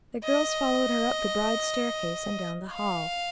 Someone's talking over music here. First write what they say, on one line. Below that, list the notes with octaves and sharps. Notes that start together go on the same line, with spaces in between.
The girls followed her up the broad staircase and down the hall.
D#5
F5